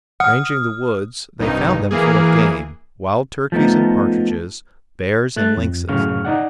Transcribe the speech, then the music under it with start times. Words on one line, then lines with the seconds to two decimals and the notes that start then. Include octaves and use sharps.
Ranging the woods, they found them full of game, wild turkeys and partridges, bears and lynxes.
0.20 F#5 D#6 F6
1.39 C2 G2 D#4
1.91 E3 A#3 G#4
3.52 F3 A3 B3 D#4
5.36 A3 F#6 A6
5.57 F2
5.89 F#2 A2 C#3 F5 C#6 F6
6.25 D#4 D5 F#5